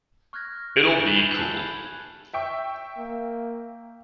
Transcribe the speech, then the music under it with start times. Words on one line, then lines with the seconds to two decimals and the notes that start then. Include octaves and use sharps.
It'll be cool.
0.33 C#6 F6 F#6 G#6 A#6
0.90 F#6 G6 A6 C#7 F7 G7
1.15 B5 G#6
1.36 G#5 A5 F#6
1.57 B5 G#6
2.33 E5 G5 C#6
2.98 A#3